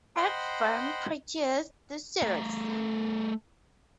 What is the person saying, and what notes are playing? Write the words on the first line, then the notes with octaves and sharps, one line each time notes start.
Egg Firm produced the series.
C5 D#5 F#5 G5 B5 C6
A3 A#4